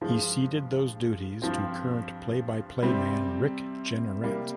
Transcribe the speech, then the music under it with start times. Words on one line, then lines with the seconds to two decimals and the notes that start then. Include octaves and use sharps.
He ceded those duties to current play-by-play man Rick Jeanneret.
0.01 G2 F3 G#3
1.42 G2 F3 C4
2.83 C3 G3 C4
4.23 C3 G3 A#3